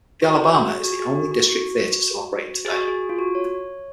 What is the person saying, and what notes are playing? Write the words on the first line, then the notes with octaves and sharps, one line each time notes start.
The Alabama is the only district theater still operating today.
F#4
C5
F#4
G#4
F#4
G#4
F#4
F#4
F#4
G#4
F#4
G#4
F4
F#4
C#5